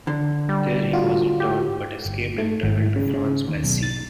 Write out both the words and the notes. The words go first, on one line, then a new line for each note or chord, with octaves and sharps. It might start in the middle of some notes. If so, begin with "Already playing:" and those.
There he was interned, but escaped and travelled to France by sea.
D3
G3
F4 F#4
G4
G1
A3
G#1
C#3
C#3
D#2
B1
A6